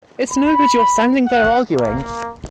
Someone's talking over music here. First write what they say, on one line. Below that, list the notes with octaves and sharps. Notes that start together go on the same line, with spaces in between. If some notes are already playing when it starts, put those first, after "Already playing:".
It's no good your standing there arguing.
B5
F#5
A#3